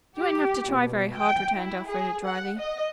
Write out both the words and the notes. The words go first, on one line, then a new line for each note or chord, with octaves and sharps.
"You won't have to try very hard," returned Elfreda dryly.
G4
B2
G5
E4
G#4
F#5
D#5